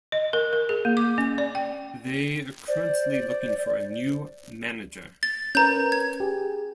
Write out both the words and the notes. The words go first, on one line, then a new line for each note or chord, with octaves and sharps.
They are currently looking for a new Manager.
D#5
A#4
A#4
G#4
A#3
D6
C#4
D5
G5
C5 D5
A6
C#4 A#4 B4 A#5 G6
G#6
G4 G#4